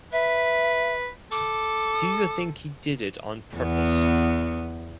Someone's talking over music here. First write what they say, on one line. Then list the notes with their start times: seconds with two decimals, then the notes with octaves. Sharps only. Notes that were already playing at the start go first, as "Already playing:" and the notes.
Do you think he did it on purpose?
0.12 B4 E5
1.32 A4 D6
3.57 E2 B3